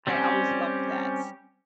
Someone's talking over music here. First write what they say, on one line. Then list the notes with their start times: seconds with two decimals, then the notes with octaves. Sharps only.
I always loved that.
0.07 G3 C4 C#4 G4